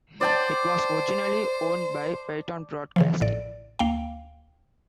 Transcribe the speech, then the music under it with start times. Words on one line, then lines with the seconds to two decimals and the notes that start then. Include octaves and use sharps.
It was originally owned by Peyton Broadcasting.
0.21 C5 D5 G5 A5
2.96 C#3 E3 F3
3.20 A1 A2 D5
3.79 D2 A#3 F5 G5